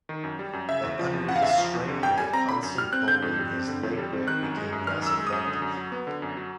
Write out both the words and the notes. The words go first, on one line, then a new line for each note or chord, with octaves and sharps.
But under the strain of constant bowling, his leg break became less effective.
D#3
F#2
G3
F#2
C#3 E5
E2
F3
E2
C#3 F#5
F5
E2 E5
F5
F3
E2
D3
F#2 G5
G3 G#5
C4 A#5
D3 B5
F#2
G3 F6
C4 F#6
D3 G6
F2
G3
C4
D3
F2
G3
C4
D#3 F#6
F#2
G#3
F#2
D#3 F6
F#2 E6
G#3
D#6
F#2
D3
F#2
F#3
B3
D3
F#2
F#3